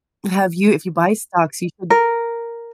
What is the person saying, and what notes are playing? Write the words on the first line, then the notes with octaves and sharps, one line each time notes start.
Have you if you buy stocks, you should
A#4